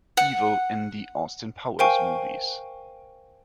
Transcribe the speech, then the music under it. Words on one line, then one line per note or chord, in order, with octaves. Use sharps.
Evil in the Austin Powers movies.
F#5
A#4 C5 F5 G5 G#5 C#6